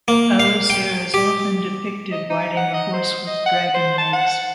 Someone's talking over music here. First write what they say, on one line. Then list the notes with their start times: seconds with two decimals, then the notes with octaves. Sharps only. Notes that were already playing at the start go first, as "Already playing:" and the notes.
Allocer is often depicted riding a horse with dragon legs.
0.08 A#3
0.40 F5
0.70 G5
1.14 G4
2.12 D#5
2.30 D#4
2.57 F#5
2.74 D#5
2.93 C5
3.27 D#5
3.46 F#5
3.74 C5
3.98 A5
4.13 F#5